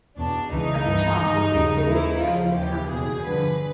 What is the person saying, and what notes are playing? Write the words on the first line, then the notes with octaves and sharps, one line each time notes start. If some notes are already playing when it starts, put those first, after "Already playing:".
As a child, he briefly lived near Aulne, Kansas.
E2 B2 D4
C#2 C#3 E3 D#4
G2 E3
G2 D#3
D#2 C#3 F3
D#2 C#3 E3 E4
D#2 C#3 F3 F4
D#2 C#3 E3 G4
E2 B2 G#4
G2 D3 F3 B4